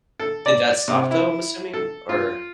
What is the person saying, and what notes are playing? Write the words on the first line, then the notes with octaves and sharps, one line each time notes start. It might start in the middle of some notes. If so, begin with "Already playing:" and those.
Did that stop, though, I'm assuming? Or...
A4
D5
C3
E4
A4
F4